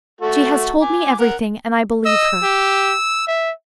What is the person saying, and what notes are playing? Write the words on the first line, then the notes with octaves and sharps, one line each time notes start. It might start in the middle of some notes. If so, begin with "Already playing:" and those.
She has told me everything and I believe her.
A3 F#4 A4
G#5 D6
A#4 F#5
D#5 E6
G4
E5